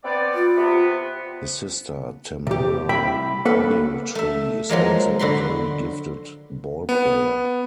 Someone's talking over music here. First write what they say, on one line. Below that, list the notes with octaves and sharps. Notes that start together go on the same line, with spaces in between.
His sister Tamara Ogiltree is also a very gifted ball player.
B3 C4 D5
F4
C3 B3
C3 G4
C2 E5 G5 B5
A#3 A4 B4 F#5
A3 E5
F3 F#3 G#3 A#3
D3 F#4 B5 C6
B3